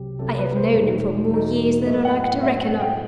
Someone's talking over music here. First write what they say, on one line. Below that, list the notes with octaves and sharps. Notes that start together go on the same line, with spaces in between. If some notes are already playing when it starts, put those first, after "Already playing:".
I have known him for more years than I like to reckon up.
Already playing: C2 C3 F#3 G4
C2 C3 F#3 A4
B4
C5
E2 B2 A3 D#4
E2 B2 A3 D#4
A2 F#3 A3 C4 D#5
F#5
F#5
A2 F#3 A3 C4 E5
F#5
G5